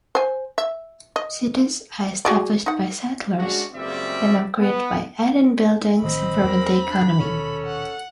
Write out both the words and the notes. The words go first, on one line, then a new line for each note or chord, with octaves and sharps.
Cities are established by settlers, then upgraded by adding buildings improving the economy.
C5 G#5
E5
D#5
F#4 G#4 D5
D#4 F#5
G#3 C#4 D4 F#4
F#1 C#2 G3 C4 D5 E5
B3
A1 D#3 F3 C4 D#5 B5
E2 A#4
D4
D#1 B2 D#3 C#4 A4
F#5